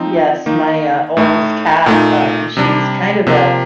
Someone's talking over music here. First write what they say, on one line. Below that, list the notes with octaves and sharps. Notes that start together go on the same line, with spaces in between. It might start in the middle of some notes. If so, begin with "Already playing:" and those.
Yes, my, uh, oldest cat, um, she's kind of a
Already playing: F3 C4 D#4
D#3 A#3 D#4
A2 A3 D#4
A#2 A3 D#4
C3 G3 D4
C3 F3 A#3